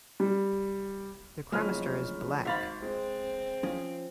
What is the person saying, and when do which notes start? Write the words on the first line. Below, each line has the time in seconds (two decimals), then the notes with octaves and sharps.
The cremaster is black.
0.20 G3
1.52 F#1 D2 C#3 F3 G#3 F6
2.45 G#1 E5 F5 B5 A6
2.82 G#3 C4
3.63 F3 C#4